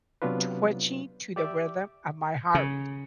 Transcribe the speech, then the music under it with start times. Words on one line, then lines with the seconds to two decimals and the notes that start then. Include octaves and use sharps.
twitching to the rhythm of my heart.
0.22 C3 F#3 B3 D4 F4 B4
1.36 G4 D5 E5 D6
2.55 C#3